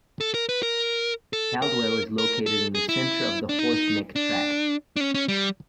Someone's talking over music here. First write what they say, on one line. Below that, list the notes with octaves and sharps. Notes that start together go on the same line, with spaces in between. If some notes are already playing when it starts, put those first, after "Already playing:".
Caldwell is located in the center of the Horse Neck Tract.
A4
A#4
B4
A#4
A4
A#4
A#4
A4
G#4
E4
D4
D#4
D4
D4
C#4
C#4
G3